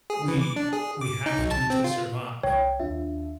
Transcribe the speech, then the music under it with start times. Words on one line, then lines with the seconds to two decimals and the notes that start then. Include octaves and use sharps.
we we have to to survive.
0.10 G#4
0.28 E3
0.41 D6
0.56 D4
0.73 G#4
1.01 D6
1.26 D#4
1.39 B1
1.51 A5
1.70 C4
1.84 F4
2.43 C2 C#5 G5
2.80 D#2 D4 F4 E5